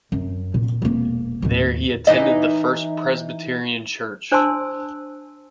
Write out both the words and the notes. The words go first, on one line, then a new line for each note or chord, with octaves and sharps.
There he attended the First Presbyterian Church.
F#2
A#2
E1 A#3
D#2 A2
E3 D#4 D#5
D4 C5 G#5 A5 C6 E6